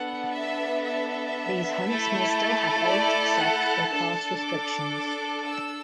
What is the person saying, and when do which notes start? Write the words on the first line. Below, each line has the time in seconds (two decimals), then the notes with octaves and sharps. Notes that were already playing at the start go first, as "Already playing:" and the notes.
These hunts may still have age, sex or class restrictions.
Already playing: B3 D4 A4 F#5
0.33 E5
0.84 E5
1.86 A3 E4 A4
2.90 D5
3.40 F#5
3.91 D4 A4 A5
4.43 D6
5.46 E6